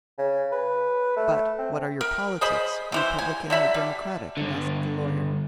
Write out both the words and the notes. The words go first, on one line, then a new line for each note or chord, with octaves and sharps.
"But what are your politics--Republican or Democratic?" asked the Lawyer.
C#3
B4
A3
C4
A#4
G#4 C5 D#5 B5
C3 E3 C5
G#5
D3 F#3 E5 B5
G3
G2 D3